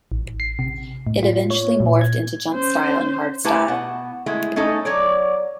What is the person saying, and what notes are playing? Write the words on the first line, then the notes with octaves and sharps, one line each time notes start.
It eventually morphed into jumpstyle and hardstyle.
A1
C7
C3
A2
F4
C#5
A#2
G#6
C#4 C5
A3 E4 G4 B4 G#5 A5
B2 F#5
G#3 A3 E4
A3 C#4 D#4 A4
F#3 C#5 D5